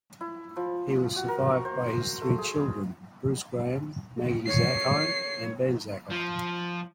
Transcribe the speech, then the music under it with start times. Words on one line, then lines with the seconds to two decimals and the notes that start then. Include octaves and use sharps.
He was survived by his three children; Bruce Graham, Maggie Zackheim and Ben Zackheim.
0.21 E4
0.56 F3
1.16 F#4
1.28 A#4
1.51 C#6
1.65 C5
2.21 A3
2.38 G#4
4.47 C#5 C7
6.10 F3